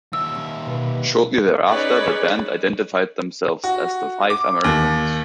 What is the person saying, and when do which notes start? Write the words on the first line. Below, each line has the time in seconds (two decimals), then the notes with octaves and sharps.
Shortly thereafter, the band identified themselves as the Five Americans.
0.13 D#2 E5 E6
0.67 B2 B4
1.70 C#4 D#4 G#4 B4 C#5 D5
3.64 F#4
4.30 D6
4.64 D#2